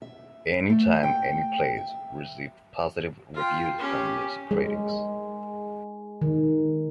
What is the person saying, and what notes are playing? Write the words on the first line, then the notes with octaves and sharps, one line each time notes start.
"Any Time, Any Place" received positive reviews from music critics.
E5
A3
G5
E5
F4 G5
C#4 G4
G#3
D#3